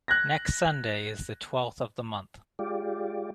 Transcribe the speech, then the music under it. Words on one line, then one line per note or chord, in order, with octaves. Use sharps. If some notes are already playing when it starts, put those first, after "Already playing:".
Next Sunday is the twelfth of the month.
F#6 G#6 A#6
G#3 F4 G4 D5